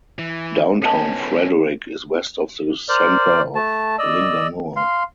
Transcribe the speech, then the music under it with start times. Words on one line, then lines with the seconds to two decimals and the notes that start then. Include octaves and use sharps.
Downtown Frederick is west of the center of Linganore.
0.19 E3
0.82 B3 C#4 A4 D#5 A5
2.89 A#4 C5 D5
3.55 A3 A5
3.99 D5 D#5 E6
4.77 F5 C6